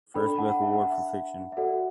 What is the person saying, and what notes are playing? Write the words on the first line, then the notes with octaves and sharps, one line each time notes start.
First Book Award for Fiction.
D4 A4 D5 G5 B5
G5 B5
F#5 A5
F#5
E5
F#5
E5
E5
F#4 A4 D5 F#5